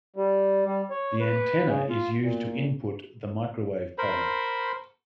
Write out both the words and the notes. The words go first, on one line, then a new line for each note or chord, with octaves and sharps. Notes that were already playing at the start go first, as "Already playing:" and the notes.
The antenna is used to input the microwave power.
G3
G3
C#5
B4
C#3
F4
A#2
A#4 C5 B5